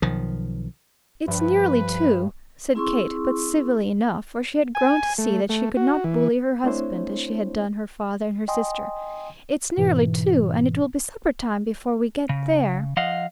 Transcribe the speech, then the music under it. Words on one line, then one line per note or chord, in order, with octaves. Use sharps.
"It's nearly two," said Kate, but civilly enough, for she had grown to see that she could not bully her husband, as she had done her father and her sister; "it's nearly two, and it will be supper-time before we get there."
B1 D#3 F3
G2 F3 B4
C4 E4 G#4 C6 C#6 E6
G#5
A3
A3
F#4
E3
A3 C4 D4 E4 C5 C#5
D#5 G5 G#5 C6 D#6
G#2 B2 E3
C#3
F3 D#5 F5 F#5